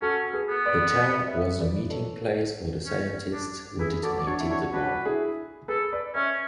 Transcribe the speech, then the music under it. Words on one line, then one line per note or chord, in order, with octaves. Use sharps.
The town was the meeting place for the scientists who detonated the bomb.
C#4 F#4 A4
G#4 B4
B3
B4 D5
B4 D5
C#5 E5
B4 D5
A4 C#5
C#4
D4
E4 G#4 B4
F#4 A4 D5
D5
D4 F#4 C#5
E4
D4 F#4 C#5
D4 F#4 B4
E4 G#4
G#4 A4 B4
B4 D5
C#4 C#5 E5